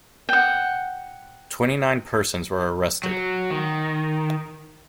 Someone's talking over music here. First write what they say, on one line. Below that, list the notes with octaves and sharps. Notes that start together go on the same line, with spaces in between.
Twenty-nine persons were arrested.
F#5 G5
F#3
D#3